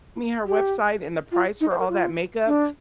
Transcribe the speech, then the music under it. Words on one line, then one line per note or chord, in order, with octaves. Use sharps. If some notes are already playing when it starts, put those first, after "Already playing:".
me her website and the price for all that makeup,
G4
F4
D#4
C5
A#4
F4
D4